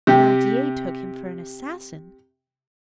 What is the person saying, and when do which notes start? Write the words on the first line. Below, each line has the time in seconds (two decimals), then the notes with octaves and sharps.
Thenardier took him for an assassin.
0.07 C3 G4